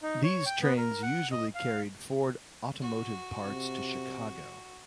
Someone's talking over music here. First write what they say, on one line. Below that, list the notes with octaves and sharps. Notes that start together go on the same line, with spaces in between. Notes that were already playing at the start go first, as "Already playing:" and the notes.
These trains usually carried Ford automotive parts to Chicago.
D#4
C#5
G5
B3
A#4
F#5
D#5
F5
F#4
C3